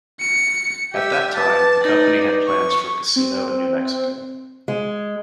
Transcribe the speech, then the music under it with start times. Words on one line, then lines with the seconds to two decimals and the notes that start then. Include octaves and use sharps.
At that time, the company had plans for a casino in New Mexico.
0.20 C#7
0.93 G4 E5
1.36 B4 A5 D6
1.83 D#4 D5
2.48 C#6
3.16 C4
4.68 G#3